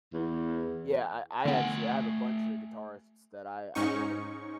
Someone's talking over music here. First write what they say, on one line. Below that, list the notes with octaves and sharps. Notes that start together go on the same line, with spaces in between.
Yeah, I I actually I have a bunch of guitarists that I I love.
E2
D3 A3 B3 G5 G#5
G#2 C#4 D#4 C#6